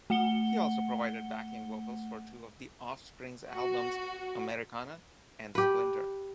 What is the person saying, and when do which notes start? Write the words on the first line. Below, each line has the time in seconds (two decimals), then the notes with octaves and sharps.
He also provided backing vocals for two of The Offspring's albums "Americana" and "Splinter".
0.10 A3 F#5 C#7 G7
3.52 F#4
5.55 G4 B4